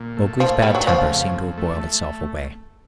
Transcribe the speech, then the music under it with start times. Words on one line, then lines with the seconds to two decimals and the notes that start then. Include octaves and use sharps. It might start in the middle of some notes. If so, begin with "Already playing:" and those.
Mowgli's bad temper seemed to have boiled itself away.
Already playing: A#2
0.17 A3
0.40 A#2 F3
0.62 G3 A3
0.75 F#3
0.87 C#3 F3
1.11 F2
1.35 F2
1.58 A3
1.81 A3